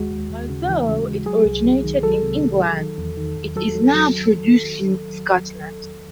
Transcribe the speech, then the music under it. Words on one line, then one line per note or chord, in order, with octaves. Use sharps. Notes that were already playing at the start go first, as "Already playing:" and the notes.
Although it originated in England, it is now produced in Scotland.
Already playing: D#2 G#3 F#4
D#2
D#2
C#3
E3
C#3
G#3
F#3 G#4
C2
F#3
D#3
F#3 A4
C3
D#3
F#3
D#3
E2
D#3
E2
F#3 A4
F#3
F#3